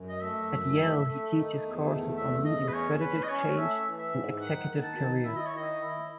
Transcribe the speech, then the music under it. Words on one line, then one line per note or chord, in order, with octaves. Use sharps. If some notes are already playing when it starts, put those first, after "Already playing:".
At Yale he teaches courses on leading strategic change and executive careers.
Already playing: F#2
D#5
A3 E5
F#2
A3
A3
D#3
E2
A3
E2 E5
E2 D#5
B4
C#4 C#5
C#4 B4
D#5
C#4 C#5
A3 E5
E3
E5
G#2
D#3 F#5
D#3
A5
D#3
E4 E5
D#5
C#5
D#3 D#5
E4